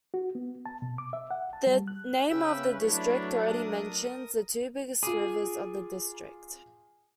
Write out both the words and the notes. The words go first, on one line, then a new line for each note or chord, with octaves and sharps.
The name of the district already mentions the two biggest rivers of the district.
F#4
B3
A5
B2
D6
E5
F#5
A5
G3
F#6
C#3 C#4 B4 E5 G5 E6
F#3 A3 D4 E4 B4 C#5
A#4 D#6
F4 G#4 D6